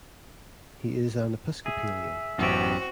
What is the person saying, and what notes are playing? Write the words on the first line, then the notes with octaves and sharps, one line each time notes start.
He is an Episcopalian.
G#4 E5
A1 F#2 B3 C4 F#4 G4